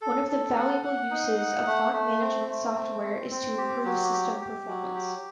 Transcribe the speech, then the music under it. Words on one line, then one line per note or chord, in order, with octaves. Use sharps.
One of the valuable uses of font management software is to improve system performance.
A4
A4
F#5
F#5
D#4
F#5
A3
A3
C4
A3
C4
C4
C4
G4
F#3
G4
G4
F#3
G4